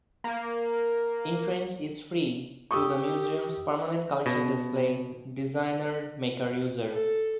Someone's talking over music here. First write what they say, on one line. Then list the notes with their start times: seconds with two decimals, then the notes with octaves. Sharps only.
Entrance is free to the museum's permanent collection display, "Designer Maker User".
0.24 A#3
2.71 G4 C#6 D#6 E6
4.26 B2
6.91 A4